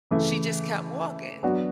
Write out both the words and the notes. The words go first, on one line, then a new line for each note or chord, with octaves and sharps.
she just kept walking,
C#3 E3 A3
F#3 B3 D4 F#4